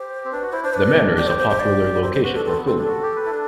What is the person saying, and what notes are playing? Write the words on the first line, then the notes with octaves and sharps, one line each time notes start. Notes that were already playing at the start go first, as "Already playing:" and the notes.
The manor is a popular location for filming.
Already playing: G4 C5
C4
D4 B4
F#4
E4 C5
D4 C5
D4 B4
G4 D5
C5
C5
C5
D5
C4 C5
C5
F#4 B4
D4 A4
C4 A4
B3
C4 A4
D4 A4
F#4
G4
B4
E4
D4